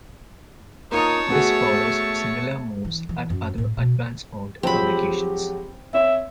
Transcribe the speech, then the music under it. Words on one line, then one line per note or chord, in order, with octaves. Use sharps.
This follows similar moves at other Advance-owned publications.
A#3 D#4 F4 C#5 A5 D#6
A3 B3 F#4 G#4
E3
E3
F#2
A2
B2
F3 F#3 G#3 C4 G4 B5
C4 C#5 E5